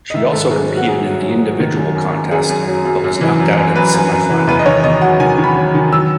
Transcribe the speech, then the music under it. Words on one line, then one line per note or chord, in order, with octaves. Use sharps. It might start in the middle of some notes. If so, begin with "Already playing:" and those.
She also competed in the individual contest, but was knocked out in the semifinal.
D#5
D#3 E5
G#2 A4
G#2 G#4
F#3
F#4
G#2 G#4
F#3
F#3
F#3
D#3
F#2
F#2
F#2
F#2 G#4
F#2
F#3
F#2
F#2
E3
F#2
F#2
F#2 B4
F#2
F#2
E3
E2 B4
D#5
D#3 C#5
E2 D#5
F#3 F#5
D#3 G#5
D#3
B5
F#3
D#3
F#3 E6